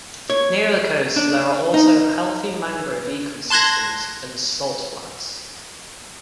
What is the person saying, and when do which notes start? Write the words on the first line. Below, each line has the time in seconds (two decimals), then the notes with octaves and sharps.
Nearer the coast there are also healthy mangrove ecosystems and salt flats.
0.30 C#5
1.16 D4
1.74 D#4
3.50 A5 C6 F#6 G#6 A#6